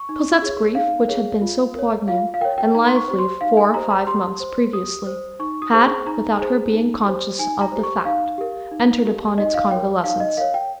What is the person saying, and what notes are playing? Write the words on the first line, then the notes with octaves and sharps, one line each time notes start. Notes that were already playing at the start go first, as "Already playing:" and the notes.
Cosette's grief, which had been so poignant and lively four or five months previously, had, without her being conscious of the fact, entered upon its convalescence.
Already playing: C#6
D#4
G#4 C#5
D#4 F5
G#4 C#5
F4
A#4 C#5
F4 F5
F5
A#4 C#5 G5
G5
D#4 A#5
C6
C#6
G4 C5
C6
D#4 F5
G#5
G4 C5 A#5
A#5
G4 C6
C5
G4 D#6
C5
D#4 C#6
D#6
G#4 C5
C#6
D#4 A#5
G#4 C5
D#4
G4 C5
D#4 G#5
A#5
G4 C5
C#6
D#4 F5
G4 A#4
D#4
G4 A#4
D#4 D#5
F5
A#4 C#5 G5
D#4 F5
D#5
A#4 C#5 F5
G5